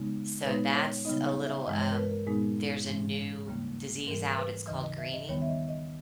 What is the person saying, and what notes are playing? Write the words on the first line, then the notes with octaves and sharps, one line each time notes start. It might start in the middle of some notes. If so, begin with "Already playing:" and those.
So, that's a little, um there's a new disease out. It's called greening
Already playing: C#3 G#3 B3 D#4
C#5
A#2 G#3 B3 D#4 B4
C#5
C#3 G3 B3 D#4 D#5
C#5
E5
G2 E3 G#3 D#5
C#5
A#4
B4
A#4
A#2 G#3 B3 D#4 G#4
G#2 E3 G#3 C#4
D#2 C#3 G3 A#3
G#2 E3 G3 A#4
B4
D#2 C#3 E3 D#5
D#5
E5
D#5
D#2 D#3 G3 B3 C#5
E5
D#5
D#5